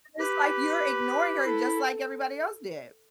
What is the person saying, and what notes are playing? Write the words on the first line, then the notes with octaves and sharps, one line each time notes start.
And it's like you're ignoring her just like everybody else did.
G4 B4
E4 A4